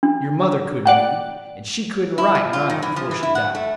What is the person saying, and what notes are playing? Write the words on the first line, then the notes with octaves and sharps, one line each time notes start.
Your mother couldn't read, and she couldn't write, nuther, before she died.
D4
D5 F#5 G5
E4
F3
F4
D#3
E3
F3
E3
E4
F#5
A3